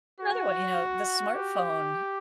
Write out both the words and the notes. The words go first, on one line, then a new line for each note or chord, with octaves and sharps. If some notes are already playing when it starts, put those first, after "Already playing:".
another one, you know, the smartphone,
F#4
G4